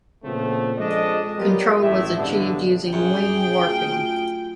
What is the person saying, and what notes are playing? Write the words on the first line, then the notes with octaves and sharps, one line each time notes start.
Control was achieved using wing-warping.
A#2 C#3 F3 A3 B3 C4
F3 G#3 C4 D4 A4 D#5
F#3 G3 B3 F4 G4 A#4
A1 A2 E5
E2 G2 B2 D3
F#2 G#4 G5
A3 F4